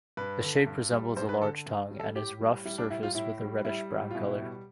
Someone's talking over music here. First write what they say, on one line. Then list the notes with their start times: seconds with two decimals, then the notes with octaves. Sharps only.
The shape resembles a large tongue, and it is rough-surfaced with a reddish-brown colour.
0.17 G2 B4
0.42 D3
0.67 G2
0.92 G3
1.17 G2 C5
1.29 B4
1.41 D3 A4
1.66 G2
1.91 G3
1.99 A4
2.16 A2 G4
2.41 G3
2.65 G3 E4
2.78 D4
2.90 A2 E4
3.03 F4
3.15 A2 E4
3.40 G3
3.65 G3 E4
3.90 A2
4.11 F4
4.15 B2 E4
4.39 G3